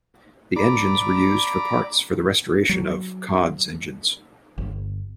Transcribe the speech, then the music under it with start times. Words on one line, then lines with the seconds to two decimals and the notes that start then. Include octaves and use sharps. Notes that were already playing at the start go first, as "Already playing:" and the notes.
The engines were used for parts for the restoration of "Cod"'s engines.
0.56 D5 A#5 B5 D6
2.69 F#3
4.58 G1